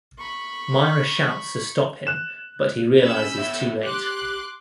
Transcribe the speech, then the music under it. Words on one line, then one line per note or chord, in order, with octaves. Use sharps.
Myra shouts to stop him but he realizes too late.
B5 C#6
F#6 E7
C#4 B5 E6 G6
B3 C#5 E5
G4 C6 D6 F#6